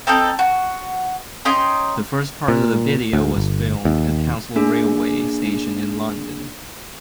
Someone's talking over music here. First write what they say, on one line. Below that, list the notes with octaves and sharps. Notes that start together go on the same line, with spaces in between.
The first part of the video was filmed at Hounslow railway station in London.
C4 D#4 A4 G5
F#4
C#4 D#4 G5 C6
A#2
D2
G1
D#2
A#3 D4 G#4